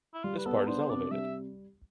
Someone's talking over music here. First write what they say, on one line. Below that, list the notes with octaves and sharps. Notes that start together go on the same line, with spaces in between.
This part is elevated.
E4
G3 F4
B4
B3 A4
D4 C5
C3 D5
G3 E5